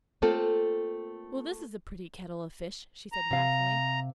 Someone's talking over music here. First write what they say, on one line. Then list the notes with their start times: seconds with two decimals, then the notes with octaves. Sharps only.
"Well, this is a pretty kettle of fish," she said wrathfully.
0.22 A3 A#3 C4 F4 A4
3.12 A#5
3.31 C3 F5